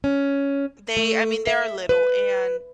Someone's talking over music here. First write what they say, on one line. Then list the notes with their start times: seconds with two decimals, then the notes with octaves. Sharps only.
they I mean, they're little and
0.04 C#4
0.97 A3
1.47 E5
1.89 B4